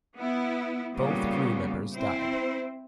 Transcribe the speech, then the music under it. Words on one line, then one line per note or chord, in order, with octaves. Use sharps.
Both crew members died.
B3 E4
A#2 C#3 G3 B3
C4 E4 C5